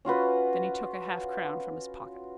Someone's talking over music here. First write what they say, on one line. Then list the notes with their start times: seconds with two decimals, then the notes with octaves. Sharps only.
Then he took a half-crown from his pocket.
0.05 C#4 F4 F#4 B4